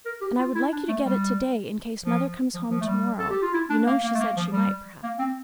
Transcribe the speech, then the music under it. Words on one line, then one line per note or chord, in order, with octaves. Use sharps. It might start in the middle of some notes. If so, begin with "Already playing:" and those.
And I would like you to get it to-day, in case mother comes home to-morrow. You know she said she might, perhaps.'
A#4
G4
F4
E4
D4
A3
G3
F3
F3
F3
A3
G3
A4
G4
F4
E4
D4
A#3
A#3
A3
A#3
F3
G3
A#3
C4